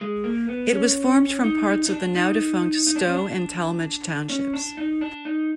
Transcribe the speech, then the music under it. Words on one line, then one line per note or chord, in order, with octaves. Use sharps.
It was formed from parts of the now-defunct Stow and Tallmadge townships.
G#3
A#3
B3
C#4
D#4
D#4
D#4
D4
D#4
D#4
D4
C#4
D4
C#4
D4
D#4
D4
D#4